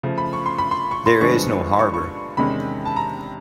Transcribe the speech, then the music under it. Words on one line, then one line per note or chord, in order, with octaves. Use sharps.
There is no harbour.
C#3 F3 A3
B5
C#6
C6
B5
C6
C#6
C6
G2 D3 F3 G#3 B3 C#6
C#6
C#6
E2 C3 D#3 G#3 C#4 B5
A5
A#5